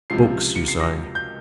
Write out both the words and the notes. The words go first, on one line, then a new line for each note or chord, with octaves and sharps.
"Books," you say.
C#2 C3 F3 C7
C#7
C7
A#6
G6